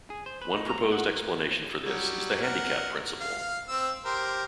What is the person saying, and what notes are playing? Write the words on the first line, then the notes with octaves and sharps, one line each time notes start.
One proposed explanation for this is the handicap principle.
G#4
C5
B4
D#4
A#5
F#5
F#3 G3
A#4 F#5
F5
C4 E6
G4 A#4 C5